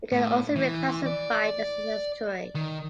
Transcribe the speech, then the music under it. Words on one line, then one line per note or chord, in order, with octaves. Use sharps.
It can also be classified as an estuary.
A2
E3
D5
D#3